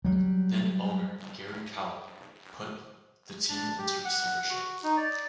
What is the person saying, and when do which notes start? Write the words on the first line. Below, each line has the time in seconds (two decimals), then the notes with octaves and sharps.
Then owner Gary Cowan put the team into receivership.
0.05 F#3 G3
3.49 D4
3.78 G4
4.05 F#5
4.50 F#4
4.84 D#4
4.97 D5